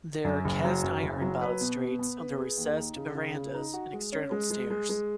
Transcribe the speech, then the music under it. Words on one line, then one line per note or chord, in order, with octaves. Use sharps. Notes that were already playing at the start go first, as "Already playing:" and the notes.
There are cast iron balustrades on the recessed verandahs and external stairs.
F#2
F#1
F#3
F#2
F#1
F#3
B4
B2
B4
B3
B4
G#4
D#2
D#4
C#3
C#3
C#3
D#4
F#4
G#3
C#4
G#3
G#3
G#3
G#3